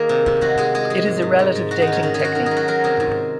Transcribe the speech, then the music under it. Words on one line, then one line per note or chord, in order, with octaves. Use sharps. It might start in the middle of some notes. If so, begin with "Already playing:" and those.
It is a relative dating technique.
Already playing: D#3 A#3 G#4 A#4
C3
C3
G#3 F#4
G#3 G#4
G#3 G#4
G#3 G#4
G#2
G#2
G#2
G#2
G#3 F#4
D#4
D#3
C#4
D#3 C#4
G#4
D#3
F#4
D#3 A#4
F#3 G#4
F#4
F#3 A#4
C3 G#4
G#2